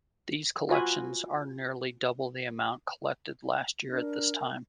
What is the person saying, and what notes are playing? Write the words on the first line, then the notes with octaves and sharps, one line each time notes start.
These collections are nearly double the amount collected last year at this time.
F4 F#4 G#5 B5
D4 A#4